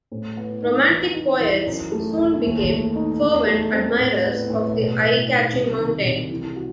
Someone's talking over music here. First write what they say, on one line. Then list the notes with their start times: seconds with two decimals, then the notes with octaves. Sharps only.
Romantic poets soon became fervent admirers of the eye-catching mountain.
0.12 A2
0.37 B3
0.63 D#4
0.89 E3
1.14 D#4
1.40 E3
1.66 F#2
1.92 A3
2.18 E4
2.44 D#2
2.69 A3
2.96 D#4
3.21 E2
3.47 A3
3.73 C4
3.98 A2
4.24 B3
4.50 A2
4.75 B2
5.01 B3
5.27 D#4
5.53 C2
5.79 D#3
6.05 C2
6.31 E3
6.56 F#4